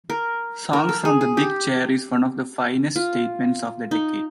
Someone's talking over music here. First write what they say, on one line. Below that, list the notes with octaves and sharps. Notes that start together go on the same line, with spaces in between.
"Songs from the Big Chair" is one of the finest statements of the decade.
A#4
A#4
A4
G#4
G#4
G4
F4
D#4